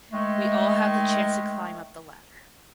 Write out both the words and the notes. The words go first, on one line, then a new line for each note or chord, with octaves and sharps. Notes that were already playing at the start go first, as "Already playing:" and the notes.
We all have the chance to climb up the ladder.
D#3 G#3 A3